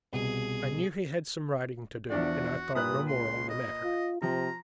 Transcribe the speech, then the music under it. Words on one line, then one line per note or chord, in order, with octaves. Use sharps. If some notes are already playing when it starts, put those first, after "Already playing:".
I knew he had some writing to do, and I thought no more on the matter.
C2 B2 G#4
E2 F3 D4 F#4 D5
G2 A#2 B4 D#6 F#6
C#2 C6
D#5
F4
C3 F3 A#5